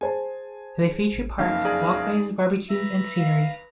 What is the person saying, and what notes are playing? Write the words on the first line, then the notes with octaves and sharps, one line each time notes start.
They feature parks, walkways, barbecues and scenery.
G#4 C5 G#5 A5
F#1 F2 A#3 D#4 F5
G#4 D5 A#5
B4 E5 A#5
F5